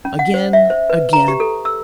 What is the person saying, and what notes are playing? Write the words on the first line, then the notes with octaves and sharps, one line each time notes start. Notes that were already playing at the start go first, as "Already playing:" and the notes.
Again! again!
C#4
F#5
C5
E5
C5
B4
A#5
G4
A4
E6